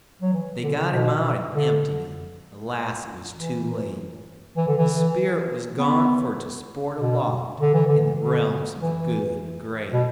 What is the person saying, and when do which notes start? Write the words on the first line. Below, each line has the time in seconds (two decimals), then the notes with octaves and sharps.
They got him out and emptied him; Alas it was too late; His spirit was gone for to sport aloft In the realms of the good and great.
0.22 F#3
0.33 E3
0.63 D3
0.93 B2
1.54 D3
3.36 E3
4.57 E3
4.68 D3
4.78 E3
5.79 B3
7.00 B2
7.61 D3
7.74 E3
7.87 D3
8.21 D3
8.81 E3
9.93 B2